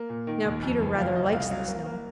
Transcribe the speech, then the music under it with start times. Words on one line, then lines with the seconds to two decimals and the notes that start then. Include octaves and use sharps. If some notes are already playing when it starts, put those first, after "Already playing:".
Now Peter rather likes the snow.
Already playing: A#3
0.09 A#2
0.27 D#3
0.45 D#2
0.63 F2
0.80 F#1
0.98 F3 F5
1.15 F#1 D#5
1.32 C2 F5
1.41 D#5
1.50 F#3 F5
1.68 A#3
1.86 A#3